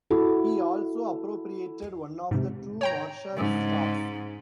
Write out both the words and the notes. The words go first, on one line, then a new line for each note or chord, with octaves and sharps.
He also appropriated one of the two Marshal's staffs.
E4 F#4 A4
G#2 C3
C#5 G5 A#5
G#2 C#3